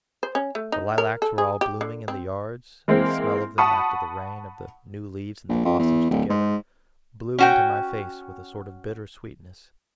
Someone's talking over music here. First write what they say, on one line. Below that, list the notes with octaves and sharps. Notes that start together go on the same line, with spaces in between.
The lilacs were all blooming in the yards, and the smell of them after the rain, of the new leaves and the blossoms together, blew into my face with a sort of bitter sweetness.
C5
C#4
A3
D#4
A#4
A4
G#4
G4
D3
C4
E3 G#3 A#3 C4
F#5 A5 B5 C#6 D#6
A#1
F2
E2
D1
G#2
C#4 F#4 G5